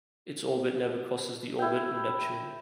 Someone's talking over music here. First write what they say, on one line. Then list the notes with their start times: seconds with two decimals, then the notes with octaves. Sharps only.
Its orbit never crosses the orbit of Neptune.
1.59 E4 G5